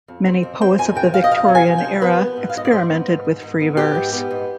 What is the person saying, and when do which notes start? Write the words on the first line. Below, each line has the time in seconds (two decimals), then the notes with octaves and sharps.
Many poets of the Victorian era experimented with free verse.
0.08 F2
0.26 C4
0.43 F2
0.61 C4 G5
0.79 F2 G#5
0.96 C3 G5
1.14 F2 F5
1.24 D#5
1.31 F2 F5
1.48 C3
1.55 G#5
1.67 C3
1.78 G5
1.84 F3
2.01 B3 B4
2.19 B3
2.37 G#2
2.49 F5
2.54 G#2 D#5
2.65 D5
2.72 G#2 C5
2.90 B3
3.07 G#2
3.25 D#3
3.42 G#2
3.60 B3
3.77 B3 G4
3.95 G#2
4.12 B3
4.31 G#2